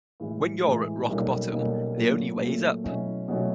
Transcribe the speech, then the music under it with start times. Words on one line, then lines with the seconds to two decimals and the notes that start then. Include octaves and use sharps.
When you're at rock bottom, the only way is up.
0.20 A2 E3 G#3
0.63 A2 E3 G#3
1.08 B1 B2 G3 A#3 C#4
1.52 B1 B2 G3 A#3 C#4
1.96 A#2 F#3 A3
2.40 A#2 F#3 A3
2.83 B2 F#3 A3 C#4 E4
3.28 B2 F#3 A3 C#4 E4